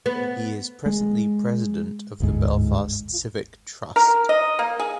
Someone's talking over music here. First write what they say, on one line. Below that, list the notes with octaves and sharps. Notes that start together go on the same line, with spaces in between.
He is presently President of the Belfast Civic Trust.
B3
G#3
G1 D2 G#2
A#4
D#5
A#3
G#4